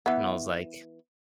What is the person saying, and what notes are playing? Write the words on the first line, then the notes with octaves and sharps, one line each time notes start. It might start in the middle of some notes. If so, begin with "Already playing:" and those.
and I was like
E3 B3